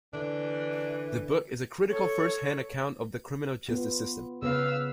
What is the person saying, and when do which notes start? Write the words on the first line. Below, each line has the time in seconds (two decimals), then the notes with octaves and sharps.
The book is a critical first hand account of the criminal justice system.
0.13 D3 E3 D4
1.90 A4 C#5
3.69 B3 F4
4.42 C#3 B3 B4 F5 E6